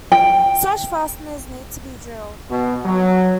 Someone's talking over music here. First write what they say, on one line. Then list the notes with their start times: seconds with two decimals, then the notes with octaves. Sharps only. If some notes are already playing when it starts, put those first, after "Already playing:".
Such fasteners need to be drilled.
0.12 G5
2.49 B2
2.85 F#3